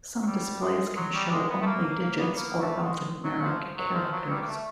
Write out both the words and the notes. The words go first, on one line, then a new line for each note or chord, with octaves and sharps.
Some displays can show only digits or alphanumeric characters.
F#3
G3
G#3
F#3
G3
G#3
B3
A3
A#3
A#3
A#3
B3
A#3
A3
G#3
F#3
F3
F#3
F3
F#3
G3
A#3
A3